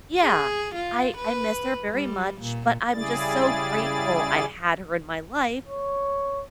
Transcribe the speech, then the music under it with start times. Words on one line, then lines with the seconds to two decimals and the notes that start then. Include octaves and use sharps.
Yeah, I I miss her very much but I'm just so grateful I had her in my life
0.22 G#4
0.75 F4
1.17 B4
1.92 G3
2.42 A#2
2.93 C#3 G3 E4 G#4 D5 A6
5.68 C#5